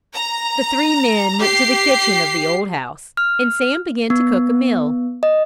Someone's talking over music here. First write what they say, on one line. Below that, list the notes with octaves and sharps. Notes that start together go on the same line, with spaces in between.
The three men went to the kitchen of the old house, and Sam began to cook a meal.
A#5
G4 C7
F6
B3
D#5